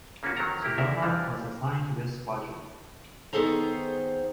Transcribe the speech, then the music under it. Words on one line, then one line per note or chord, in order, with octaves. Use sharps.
"Sonoma" was assigned to this squadron.
C#3 A#3 C#4 F4 F#4
D#3 F#3 C4 A4 A#4 A#5
A#3 E4 G4
D2 D#4 A#4 E5
F2 E3 F3 G3
D#3 B3 G#4 A4 C5 A#5